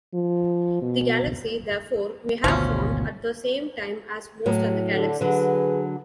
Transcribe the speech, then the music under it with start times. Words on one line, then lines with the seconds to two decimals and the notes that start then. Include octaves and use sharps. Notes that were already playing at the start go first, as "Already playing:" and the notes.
The galaxy, therefore, may have formed at the same time as most other galaxies.
0.14 F3
0.82 B2
2.44 G#1 D2 B2 F3 C#4
4.46 A2 F#3
4.92 D3
5.21 D3 F#3 G#4 B4